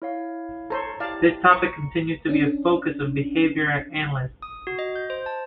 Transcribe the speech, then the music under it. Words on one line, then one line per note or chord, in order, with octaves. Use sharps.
This topic continues to be a focus for behavior analysts.
E4 C#5 F5
A4 C5 C#5 A#5 G#6
E4 G4 D5 F5 A5
A#5 C#6 C#7
C#4 D4
D#6
F#4
D#5
G6
C5
A5